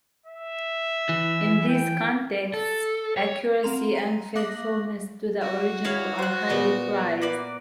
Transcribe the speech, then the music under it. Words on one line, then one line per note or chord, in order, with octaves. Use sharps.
In these contexts, accuracy and faithfulness to the original are highly prized.
E5
E3
G5
A4
C#5
C4 A#5 C6 F7
A#5 D#7
A#3 F5 D6 F#6 A#6 F#7
F#4
E4 C#5 F5 F#5
C5 F#6
A#2 B3
A#3 B4 D5